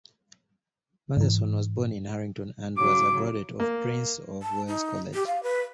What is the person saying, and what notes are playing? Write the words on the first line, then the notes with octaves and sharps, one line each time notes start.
Mathieson was born in Harrington and was a graduate of Prince of Wales College.
G#2 E3
C#3 F#3 D6
A#3
A5
D#4
G4
F5
B4